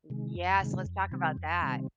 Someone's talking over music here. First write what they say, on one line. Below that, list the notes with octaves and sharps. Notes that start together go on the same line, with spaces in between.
Yes. Let's talk about that.
C3 D#3 G#3
F2
C3 D#3 G#3
F2
C3 D#3 G3 C4
F2
C3 D#3 G3 C4